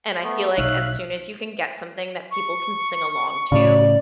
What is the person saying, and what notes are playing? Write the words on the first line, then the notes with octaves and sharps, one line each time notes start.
and I feel like, as soon as you can get something that people can sing along to,
A3 B3
B1 D#4 C#5 E5 F5 F#6
C#6
A2 C#3 D5